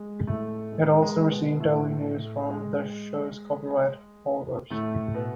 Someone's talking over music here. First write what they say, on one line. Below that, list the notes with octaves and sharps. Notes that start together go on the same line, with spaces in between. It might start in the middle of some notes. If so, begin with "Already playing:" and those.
It also received early news from the show's copyright holders.
Already playing: G#3
A2 A3
G#3
G#3
B2 B3
A2 A3
G#3
A2 A3
B2 B3